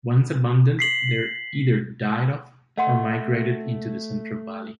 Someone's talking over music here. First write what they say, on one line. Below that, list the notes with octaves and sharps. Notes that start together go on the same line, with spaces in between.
Once abundant, they either died off or migrated into the Central Valley.
B6 C7 F#7
A3 D#5 F#5 C6